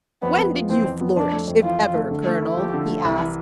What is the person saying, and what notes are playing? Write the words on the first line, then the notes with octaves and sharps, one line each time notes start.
"When did you flourish, if ever, colonel?" he asked.
F2 B3
B3
F4
E3 C4
F2
B3
F2 D4
A3
F2
E3 F4
F2
A3
D3
A3
E4
F3 G4
D3
A3
C2 E4
E3